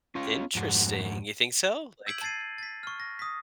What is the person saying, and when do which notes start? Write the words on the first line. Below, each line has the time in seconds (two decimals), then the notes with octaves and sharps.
Interesting, you think so? Like,
0.15 C#4 F4 C#5 F5
0.55 F2 G#2 F#4
2.07 E6 G6 G#6 B6 D7 F#7
2.21 A5 G#6 A6 C7 D#7
2.58 A6 B6
2.83 C#6 F6
3.00 A#6
3.19 D#6 B6